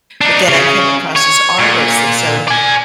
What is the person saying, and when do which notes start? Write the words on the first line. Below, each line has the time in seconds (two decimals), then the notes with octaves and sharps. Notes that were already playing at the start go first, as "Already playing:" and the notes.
But then I came across this artist, and so
0.21 D4 D#4
0.48 C#3
1.16 C#5
1.59 A#2
2.48 D5 G#5